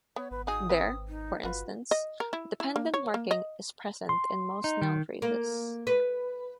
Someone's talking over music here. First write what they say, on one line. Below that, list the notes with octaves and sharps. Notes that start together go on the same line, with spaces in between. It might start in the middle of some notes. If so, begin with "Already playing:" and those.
There, for instance, dependent-marking is present in most noun phrases.
B3 C#5
G#1 B4
D#4 F#4 G#4 D#6
C4 B4
D#4
G1 F4 F#4 B4
D#5
A#4
E4
E4
A#3
C#5
A#3
D#5
C6
D#4
D#3
A#3
B4